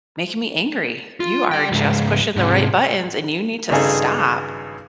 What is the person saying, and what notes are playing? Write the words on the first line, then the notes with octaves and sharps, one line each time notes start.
making me angry, you are just pushing the right buttons and you need to stop."
F4
G3 G5
C#2 G#2
G#2 C3
G#1 G2 C#3 D#4 G#4 A4